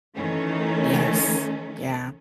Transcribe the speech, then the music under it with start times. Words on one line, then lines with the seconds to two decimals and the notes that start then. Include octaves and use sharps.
Yes. Yeah.
0.16 D#3 E3 A3 C#4